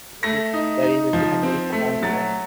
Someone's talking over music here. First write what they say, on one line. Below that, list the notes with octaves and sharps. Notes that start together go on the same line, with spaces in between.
The reasons behind it are unknown.
A3 A#6
D#4
D#4
F3
C4
A3
F#3 A6